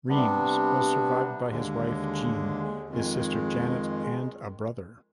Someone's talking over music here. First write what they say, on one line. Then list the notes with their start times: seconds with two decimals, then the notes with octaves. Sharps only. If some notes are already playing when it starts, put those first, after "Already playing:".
Reems was survived by his wife, Jeanne, his sister Janet, and a brother.
0.08 C3 G3 B3 D4
1.49 D#2 D3 G#3
2.90 F2 D#3 G#3